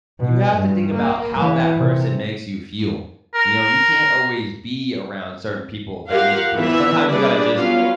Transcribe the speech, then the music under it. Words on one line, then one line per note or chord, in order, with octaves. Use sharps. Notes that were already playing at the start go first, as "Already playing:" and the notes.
you have to think about how that person makes you feel, you know, you can't always be around certain people that make you feel Sometimes you gotta just,
B2
G2
A#3
E3
C3
A#4
F4 G4 A#4 F5 F#5
E3 B3 C4 E5
G3 A#3 D4 G#4 B4 D5
F#3 B3 C#4 F4 F5